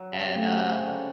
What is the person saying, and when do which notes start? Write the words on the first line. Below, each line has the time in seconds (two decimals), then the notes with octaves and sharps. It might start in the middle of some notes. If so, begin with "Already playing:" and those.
and, uh,
Already playing: F#3
0.12 C#3
0.25 C3
0.35 C#3 A3
0.52 C3
0.70 C#3
0.86 D3